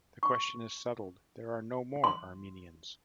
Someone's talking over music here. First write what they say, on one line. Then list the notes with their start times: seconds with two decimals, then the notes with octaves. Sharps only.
The question is settled, there are no more Armenians'.
0.23 C#6
2.04 C6